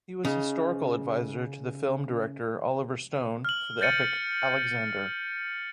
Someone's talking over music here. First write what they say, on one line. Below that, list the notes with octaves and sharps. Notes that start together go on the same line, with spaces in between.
He was historical advisor to the film director Oliver Stone for the epic "Alexander".
C#3 D#4
F6 F#7
G6 A6 C#7 D#7